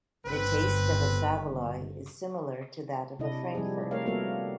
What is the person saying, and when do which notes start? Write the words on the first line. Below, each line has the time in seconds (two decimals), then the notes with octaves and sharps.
The taste of a saveloy is similar to that of a frankfurter.
0.26 G1 C4 B4
3.19 C3 D4 E4 D#5
3.55 F3 G3 C4 E4 G#4
3.91 A3 A#4 C#5 F5
4.06 G3 A#3 B3 F#4 A4 A#4